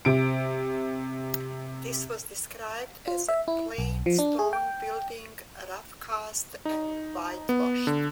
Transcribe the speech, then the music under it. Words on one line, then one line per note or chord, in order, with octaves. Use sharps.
This was described as "a plain stone building rough cast and whitewashed".
C3 D7
F4
E5
E4
B1
F3
D4
G#4
G5
D#4
B3
D3